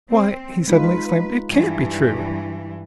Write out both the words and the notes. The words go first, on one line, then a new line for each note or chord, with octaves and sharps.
Why!" he suddenly exclaimed, "it can't be true.
C4
G#3 D#4 F4 B4
G2 E3